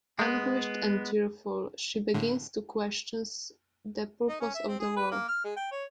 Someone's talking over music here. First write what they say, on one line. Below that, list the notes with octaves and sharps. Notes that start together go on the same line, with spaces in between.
Anguished and tearful, she begins to question the purpose of the war.
G#3 B3
A2 D3
D#4
C#4
E5
C4
G#4
B4
A#3
F6
G#3
G5
C#5